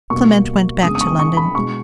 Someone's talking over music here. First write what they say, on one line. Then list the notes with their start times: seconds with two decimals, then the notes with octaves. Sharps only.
Clement went back to London.
0.10 B2 G3 A#3 C#6
0.83 C#3 G#3 B3 D#6
0.95 D#6
1.01 C#6
1.07 D#6
1.19 C#6
1.37 B5
1.55 B2 G#3 B3 C#6